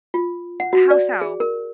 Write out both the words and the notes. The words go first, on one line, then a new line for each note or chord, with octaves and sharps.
How so?
F4
F#5
F#4
D5
G#4
A#4